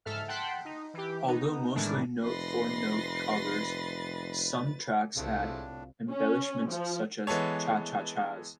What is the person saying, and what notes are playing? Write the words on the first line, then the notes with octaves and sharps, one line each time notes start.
Although mostly note-for-note covers, some tracks add embellishments such as "cha-cha-chas".
G#2 A4 E5 F6
F#5 G5 A5 C6 F#6 B6
D#4
E3 G4
B3 D#4
A2 D#3 E3 G#3 D4
F1 B4 C6 A6 A#6 C7
C2 A2 F3 G#3 A3 D4 F4 A#4
C#4
F3
E3 G#3 B3 A4 C#5